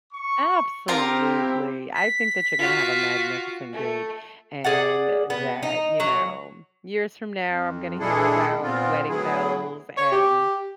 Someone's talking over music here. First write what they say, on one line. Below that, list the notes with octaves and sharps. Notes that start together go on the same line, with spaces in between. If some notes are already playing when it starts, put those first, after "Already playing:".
Absolutely. I think that you're gonna have a magnificent date and that, you know, years from now, I'm gonna hear about wedding bells and
C#6
C4 E4 F4 G4 A#4 A#5
B6
F4 F#4
A3
G#4 D5 F#5
B3
D#4
F#3
F2
A#2 G#3 D4 E4 G#4 A4
A#2 B3 C4 F4
A2 F#3 B3 E4 G#4
C#5
G4